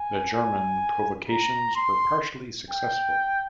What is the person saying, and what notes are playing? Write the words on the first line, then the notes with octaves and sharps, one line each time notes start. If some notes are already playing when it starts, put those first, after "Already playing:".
The German provocations were partially successful.
Already playing: G#5
G#5
A#5
C6
G5